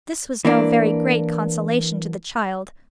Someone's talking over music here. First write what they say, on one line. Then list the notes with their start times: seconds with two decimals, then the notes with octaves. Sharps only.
This was no very great consolation to the child.
0.45 E3 A#3 D4